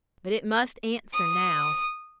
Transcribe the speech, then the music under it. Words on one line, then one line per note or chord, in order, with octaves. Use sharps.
But it must answer now.
D#6